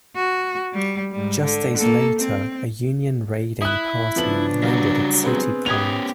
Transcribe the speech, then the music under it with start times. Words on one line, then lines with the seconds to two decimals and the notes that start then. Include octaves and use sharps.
Just days later, a Union raiding party landed at City Point.
0.16 F#4
0.74 G3
1.12 G#2 G3
1.43 D3
1.77 A#3 A4
2.18 C4
3.62 E4 D#6 F#6
4.16 C#3 F3 B3 D4 F#7
4.63 F#3 G3 F#4
5.24 B3 C4 G#4
5.66 B3 C#4 G4 B4 D#6 G#6 F7